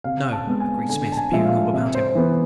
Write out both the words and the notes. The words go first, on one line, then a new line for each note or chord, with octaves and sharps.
"No," agreed Smith, peering all about him.
C3 F5
A5
G#3 B3
G#5
D3 G#5
A5
G#5
F3 G#3 E5
F5
C3 E5
C5
C5
E3 B3 B4